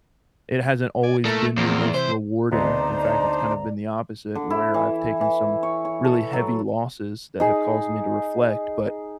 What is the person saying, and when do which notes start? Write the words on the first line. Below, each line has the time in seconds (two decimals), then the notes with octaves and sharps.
it hasn't always been the most rewarding. In fact, it's kind of been the opposite where I've taken some really heavy losses that have caused me to reflect. But
1.03 D5 G#5
1.25 A#2 A3 E4 A#4
1.57 E2 F3 A#3 C4
1.94 C3 E3 C5
2.52 D2 B3 C4 D4 D#4 C5 D5 A#5
4.35 D3
4.50 E4
4.74 E3
5.21 E3
5.63 C#5
5.85 C#5
6.05 A4
6.33 F#3
7.40 D#4 G#4